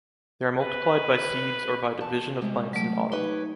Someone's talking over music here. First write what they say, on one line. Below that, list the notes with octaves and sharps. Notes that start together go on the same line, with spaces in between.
They are multiplied by seeds or by division of plants in autumn.
B4
E2 A5
C3 G3 G#3
F#3 A3
D#4 G4 B4 C#5